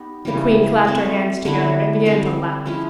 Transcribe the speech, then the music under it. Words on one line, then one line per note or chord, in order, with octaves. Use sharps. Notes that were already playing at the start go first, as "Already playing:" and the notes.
The queen clapped her hands together, and began to laugh.
Already playing: B3 D#4 G4
C#3 E3 G3
F#3 A3 C4
D3 G3 B3 E4
D3 G3 C4
F3 G#3 C#4 E4